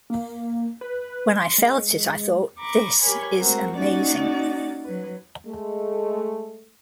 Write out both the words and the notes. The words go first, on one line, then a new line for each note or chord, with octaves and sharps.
When I felt it, I thought 'This is amazing.
A#3
B4
C6
G#3
A#5 B5 C#6 D6
G4 A#4 C#5 G#5 B5
G#3 A3 C4 F#4 A#4
A#3 C#4 D#4 F#4 D5
F#3 B4
G#3 A3